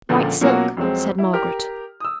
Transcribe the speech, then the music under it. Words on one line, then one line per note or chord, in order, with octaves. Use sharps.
'White silk,' said Margaret.
C#2 A#2 D3 F3
B2 F#3 A#3 C#4 F4 F#4
F2 F#3 G#3 C4
E4
G4 A#4 F6
D#6 E6